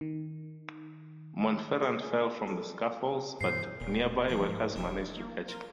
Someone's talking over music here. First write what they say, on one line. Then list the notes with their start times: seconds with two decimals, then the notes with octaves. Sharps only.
Montferrand fell from the scaffolds, but nearby workers managed to catch him.
0.01 D#3
1.83 G#4
2.47 A4
3.41 G2 B2 E3 C5 C7
3.80 D#1 A#2
4.28 F3 A#3
4.49 G#2
4.76 E1 D4 E4
5.17 A#3
5.48 F4 A#4